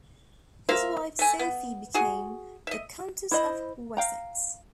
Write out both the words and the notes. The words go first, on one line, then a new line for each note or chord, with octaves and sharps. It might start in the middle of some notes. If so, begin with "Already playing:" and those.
His wife Sophie became "The Countess of Wessex".
A#3 C5 E5 F5
A3 G#5
B3
F#4 G#4
D#5 E5
E4 C5 D#5 B5
F5 G5 A#5